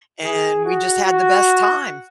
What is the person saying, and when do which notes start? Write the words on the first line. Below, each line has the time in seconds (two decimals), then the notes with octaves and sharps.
and we just had the best time.
0.23 G#4
0.65 F#4
1.05 F#4